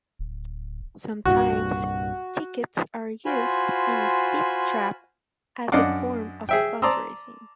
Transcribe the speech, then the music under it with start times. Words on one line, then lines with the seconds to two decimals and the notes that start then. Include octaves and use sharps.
Sometimes tickets are used in a speed trap as a form of fundraising.
0.19 D1
1.25 C2 G2 A#2 F#4
3.26 F4 F#4 C5 G#5 B5
5.72 F#2 D4 D#5 F5 F#5 D6
6.49 G#4 E5 G5
6.82 D5 A5 A#5 C6 D#6 E6